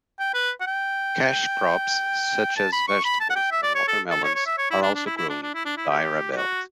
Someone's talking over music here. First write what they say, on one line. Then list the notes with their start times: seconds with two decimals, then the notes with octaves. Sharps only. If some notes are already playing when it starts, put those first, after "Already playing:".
Cash crops such as vegetables and watermelons are also grown in Diara belt.
0.19 G5
0.34 B4
0.61 F#5
0.67 G5
2.57 A5
2.73 B5
2.88 C#6
3.05 B5
3.20 A5
3.30 F#5
3.36 G5
3.52 E5
3.63 D5
3.75 C#5
3.88 A4
4.11 A4
4.24 C#5
4.35 C#5
4.46 E5
4.58 C#5
4.71 E4
4.82 D4
4.95 D4
5.06 E4
5.18 E4
5.30 D4
5.42 D4
5.54 E4
5.65 D4
5.77 E4
5.89 G4
6.32 G4
6.37 F#4